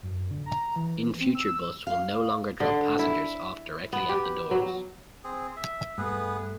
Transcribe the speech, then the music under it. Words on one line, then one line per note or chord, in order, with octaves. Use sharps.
In future bus will no longer drop passengers off directly at the doors.
F#2
D3
A#5
E3
C4
E6
F5
D3
E4
B3
G4
F#3
C4 G#4
E5
G2 A3 B3 G#4 B4